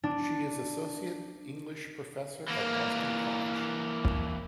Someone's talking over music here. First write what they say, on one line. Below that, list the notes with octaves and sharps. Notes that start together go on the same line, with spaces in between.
She is associate English professor at Boston College.
D4
E3 A#3